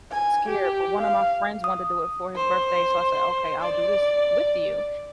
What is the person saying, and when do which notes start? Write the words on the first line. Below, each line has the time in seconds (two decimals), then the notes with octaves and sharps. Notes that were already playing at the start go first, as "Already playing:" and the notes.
scared, but one of my friends wanted to do it for his birthday, so I said, "Okay, I'll do this with you,"
0.11 G#5
0.49 G4
1.00 F5
1.64 D#6
2.36 C5
3.61 D5